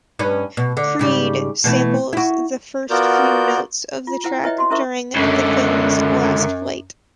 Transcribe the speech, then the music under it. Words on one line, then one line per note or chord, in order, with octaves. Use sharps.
"Creed" samples the first few notes of the track during the film's last fight.
G2 C#4 B4
B2
D3
G#2 C#3 G3
B2 E3 A3
E4 F#4
B3 F4 F#4 A#4 D5 G6
F4
E4 C5 F#5 G5
E4 B4 C#5 D#5 E5 G5
F#4 C6
C#4 E4 A#4 C5 E5 C#6
C#2 F#2 D3